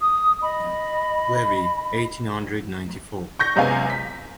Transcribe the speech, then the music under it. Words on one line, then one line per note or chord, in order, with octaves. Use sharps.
Lévy, eighteen hundred ninety-four.
D#6
D#5 B5
C#6 G6 A#6
F#2 C3 G#3 B3 F5 G#5
B6